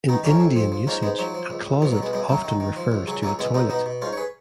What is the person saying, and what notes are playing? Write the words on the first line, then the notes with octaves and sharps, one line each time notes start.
In Indian usage, a closet often refers to a toilet.
D#3 B3 D#4
F2 A#3 C#4
F2
F3
F3
G#2 A#3 C#4
G#2 G#3 B3
F3 F#3
F3
C#2
C#2
B2 F3
F#3
B2
G#3 B3
F#2 G#3 B3
F#2 F#3 A#3
D#3
D#3
F3
C#2
C#3 F#3
C#2 F#3 A#3
C#2 G#3 B3
C#2 B3 D#4
B2 B3 D#4
B2
G#2 C#4 F4
C#5
G#4 B4